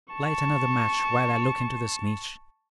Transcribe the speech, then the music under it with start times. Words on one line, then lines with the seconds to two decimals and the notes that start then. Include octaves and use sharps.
Light another match while I look into this niche.
0.14 A5 C#6